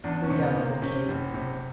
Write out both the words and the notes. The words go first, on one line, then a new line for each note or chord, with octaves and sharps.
"Oh, yes," said Kate.
E2 D4
C#4
C3
B3
C3
A#3
C3 C#4
F#1
C3